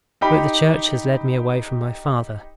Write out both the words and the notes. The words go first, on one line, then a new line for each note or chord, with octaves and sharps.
But the church has led me away from my father.
D#4 G4 G5 B5